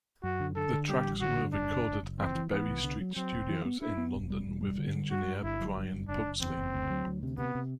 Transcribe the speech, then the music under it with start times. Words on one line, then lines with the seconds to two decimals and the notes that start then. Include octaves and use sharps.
The tracks were recorded at Berry Street studios in London with engineer Brian Pugsley.
0.23 F#2 F#4
0.40 D3
0.56 D3 A4
0.72 D3
0.89 G3 G4
1.05 A1
1.21 D3 F#4
1.37 G2
1.53 F#1 D4
1.70 F#1
1.87 F#1
2.03 F#1
2.19 E3 C4
2.35 E3
2.51 E3 B3
2.68 C2
2.84 D3
3.00 F#3
3.16 F#3 C4
3.33 E1
3.49 E3
3.65 B3
3.81 D4 E4
3.98 B3
4.14 E1
4.30 G3
4.47 E1
4.62 G3
4.79 D3
4.95 G3
5.11 G2 F#4
5.28 G2
5.44 G1 E4
5.60 F#3
5.76 G2
5.92 G1
6.08 F#1 D4
6.25 F#1
6.41 E2 C4
6.57 F#1
6.74 D2
6.90 F#3
7.06 D2
7.23 C3
7.38 C3 B3
7.55 C3